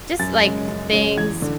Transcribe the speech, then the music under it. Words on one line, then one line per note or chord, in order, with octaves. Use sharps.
just, like, k things,
F#2 A6
C#3 G#3 C#4
F#2
C#3 G#3 C#4
E2 G#6
D3